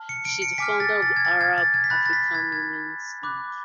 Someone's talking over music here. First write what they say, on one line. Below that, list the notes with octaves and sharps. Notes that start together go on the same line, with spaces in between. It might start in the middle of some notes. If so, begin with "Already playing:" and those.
She is founder of the Arab-African Women's League.
Already playing: A5 F6
C#7
D7
C#7
G#5 D6 F6 B6
A6
A6
G#6
A6
G#6
A6
G#6
B6
B5 F#6 A6
A6
B6
G#6
G#6
B5 D6 F#6